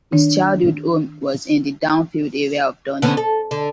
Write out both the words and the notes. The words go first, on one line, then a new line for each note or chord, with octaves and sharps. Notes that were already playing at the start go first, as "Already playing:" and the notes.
His childhood home was in the Downfield area of Dundee.
D#3 D4
D3 B3 C#4
A4
D3